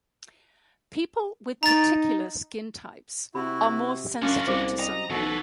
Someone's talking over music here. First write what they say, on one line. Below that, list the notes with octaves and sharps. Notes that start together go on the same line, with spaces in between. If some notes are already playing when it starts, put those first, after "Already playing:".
People with particular skin types are more sensitive to sunburn.
D#4 A#5 A6
C3 E4 F#4 B5
F#2 G#3 C#4 D4 F#4 F5 A5 D6
C2 C5 D5 F5 D6
D#5 G5 A#5
B1 E3 D#4 F#4 A4